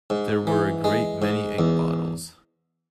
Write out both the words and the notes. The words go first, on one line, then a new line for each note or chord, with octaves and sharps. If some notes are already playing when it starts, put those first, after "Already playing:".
There were a great many ink bottles.
G#2
E3
G#3
G#2
E2